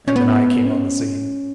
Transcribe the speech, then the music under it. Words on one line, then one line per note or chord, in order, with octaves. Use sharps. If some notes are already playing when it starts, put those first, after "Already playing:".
And then I came on the scene.
C#4
B3
C#4